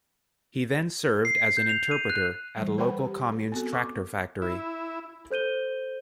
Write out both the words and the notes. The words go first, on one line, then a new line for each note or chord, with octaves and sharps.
He then served as an interpreter at a local commune's tractor factory.
C7
G6
F7
D#7
F#6
E3 G3
A4 B4 C5 F#5 G5 B5
G4
A4
B3 C4 F#4 A4
C#6 D6
E4
A4 C5 G6 D#7 G7